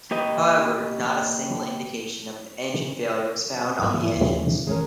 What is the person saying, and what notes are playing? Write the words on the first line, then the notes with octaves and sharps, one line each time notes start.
However, not a single indication of an engine failure was found on the engines.
A#3 G4 B4 D#5
G#2 F#3 B4 E5
E3
D#2
F1 D#3 E3 G#3 C#4 A#4